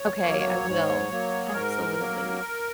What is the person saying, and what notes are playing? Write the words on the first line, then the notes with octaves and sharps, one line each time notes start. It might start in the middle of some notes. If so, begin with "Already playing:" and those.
Okay, I will. Absolutely.
Already playing: C#5
F#3 A#3
G#2
F#3 A#3
G#4
G#2 A#4
F#3 A#3